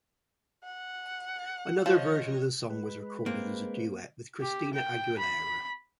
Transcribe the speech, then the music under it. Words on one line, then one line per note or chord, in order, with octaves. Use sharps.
Another version of the song was recorded as a duet with Christina Aguilera.
F#5
F3 C#5 D#5
G#3 B4
A#3 C4
G4
G5
B5